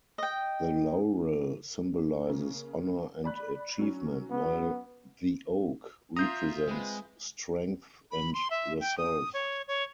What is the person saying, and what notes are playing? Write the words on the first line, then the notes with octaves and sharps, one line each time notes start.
The laurel symbolizes honor and achievement while the oak represents strength and resolve.
D#5 G5
C#3 A#3
D5 B5 F#6
F#3 C#4
B3
F4 E5 A#5 C6 D#6 G6
G#3 C4 B4
B5
C6
E5
G5
D#6
C#5
C#5